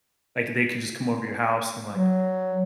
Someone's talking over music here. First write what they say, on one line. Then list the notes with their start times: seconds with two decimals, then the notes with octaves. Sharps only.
like, they could, just, come over to your house and, like, l
1.93 F#3